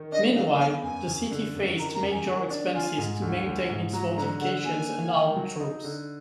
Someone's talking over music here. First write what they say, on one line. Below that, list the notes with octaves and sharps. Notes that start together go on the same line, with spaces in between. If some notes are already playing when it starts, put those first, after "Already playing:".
Meanwhile, the city faced major expenses to maintain its fortifications and armed troops.
Already playing: D#3
D4 D#5
F#3 F5
B3 F5
F#2 G#5
F#2
D3
F#2
D#3 A#5
A#5
F#2
G#5
D#3
D4
F4 G#5
G#2
D2
D2
G#2
F#3 A#5
D3 A#5
D3 F#5
A#3 G#5
A#3
D#3
F#3
D#4
D3